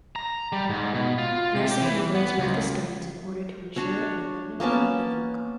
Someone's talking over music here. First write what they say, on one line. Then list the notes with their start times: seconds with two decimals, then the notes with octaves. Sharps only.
Nursing mothers wear the stones in order to ensure an abundant flow of milk.
0.16 A#5
0.53 G3
0.70 G#2
0.94 B2
1.18 F4
1.55 C3
1.69 G4
1.82 E3
2.15 B3
2.39 C#2
3.76 D4 F#4 C#5
4.60 A#3 B3 C#4 A5